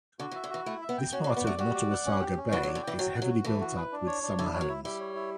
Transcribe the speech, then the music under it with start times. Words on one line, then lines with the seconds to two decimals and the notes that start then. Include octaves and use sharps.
This part of Nottawasaga Bay is heavily built up with summer homes.
0.19 D3 F#4
0.31 E3
0.36 E5
0.44 D3
0.50 E3 F#4
0.66 A3 E4
0.82 E5
0.89 B3
0.98 G5
1.12 C#4 F#4
1.24 C#4
1.28 D5
1.37 B3
1.44 A3 F#4
1.59 G3 F#4
1.75 D5
1.90 F#5
2.06 C#4
2.21 G4
2.37 C#4
2.52 E3 F#4
2.63 F#3
2.67 D5
2.75 D3
2.83 E3 G5
2.98 F#3 F#4
3.14 F#5
3.22 F#3
3.30 F#4
3.44 E3 A3
3.61 F#4
3.76 B4
3.92 D4
4.07 C#5
4.23 D4
4.38 D3 E4
4.54 C#5
4.61 F#3
4.69 E4
4.84 G3 E4
5.00 C#5
5.15 E4